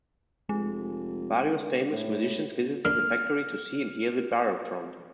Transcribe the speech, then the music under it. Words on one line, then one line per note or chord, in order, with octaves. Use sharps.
Various famous musicians visited the factory to see and hear the Birotron.
F1 G#3
D3
A2
D3 A#3 F6